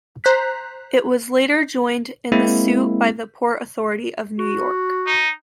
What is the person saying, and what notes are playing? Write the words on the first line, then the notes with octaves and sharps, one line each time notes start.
It was later joined in the suit by the Port Authority of New York.
C5 A#5 F#6 B6
G#3 A#3 C4 E4
F#4
D#4